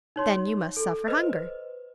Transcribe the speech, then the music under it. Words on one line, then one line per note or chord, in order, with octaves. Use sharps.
"Then you must suffer hunger."
D#4 C#5 C6
A4
B4 C5 D#5